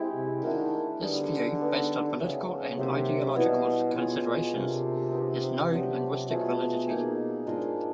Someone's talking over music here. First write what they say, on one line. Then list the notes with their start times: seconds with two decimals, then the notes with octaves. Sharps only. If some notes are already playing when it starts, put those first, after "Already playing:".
This view, based on political and ideological considerations, has no linguistic validity.
Already playing: G#3 C4 E4 G4
0.14 C3
0.43 D#3 A3 D4 F#4 A#4
1.01 D3 G3 B3 D#4 G#4
1.60 G3 B3 D#4 G4
2.19 C#3 A3 C#4 F#4 B4
2.77 C3 F#3 A#3 D#4
3.36 B2 G3 B3 E4
3.95 B2 C#4 F4 G#4
4.54 C3 D4 F4 A#4
5.12 B3 D#4 G4
5.71 C3 F#3 B3 D4 G4
6.29 B2 A3 C4 F4 G#4
6.87 A#3 D#4 G#4
7.47 G#2 D4 F4 A#4 D#5